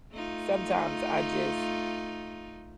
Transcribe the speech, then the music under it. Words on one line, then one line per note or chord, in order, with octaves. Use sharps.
sometimes I just
A3 D#4 F4